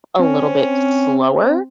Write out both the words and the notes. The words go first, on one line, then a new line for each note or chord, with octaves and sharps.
a little bit slower.
C4 C#4